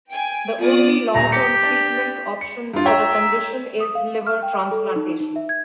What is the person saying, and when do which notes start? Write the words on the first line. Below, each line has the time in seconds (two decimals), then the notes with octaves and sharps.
The only long-term treatment option for the condition is liver transplantation.
0.11 G5 G#5
0.60 B3 F4 D5 D#6
1.15 D#1 G#5 A#5
1.32 G4 C#7
1.63 D4
2.41 C#7
2.74 G2 F4
2.85 C#5 E5 G5 A#5
3.80 D#6
3.95 F5
4.27 F6
4.43 G5
4.71 A4
4.96 D#4
5.20 D#4
5.36 E5
5.49 G#6